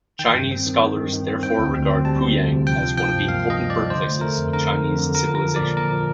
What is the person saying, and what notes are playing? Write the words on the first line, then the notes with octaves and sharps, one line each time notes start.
Chinese scholars therefore regard Puyang as one of the important birthplaces of Chinese civilization.
D#3 G5
G2
C4
D#3
D#3
G2
D#3
C4
C4 G5
D2
D2
C4
G3 A5
D2
D2
C3
F3 G5
F3
F3 G5
G2
A#3 F5
F3
D#5
G2
D5
F3
D3 C5
A3
A3 A#4
F2
D3 A#4
F2
F2
D3
F3 A#4
F3
A#4
F3
D5
A#2
A#2 A#4
F3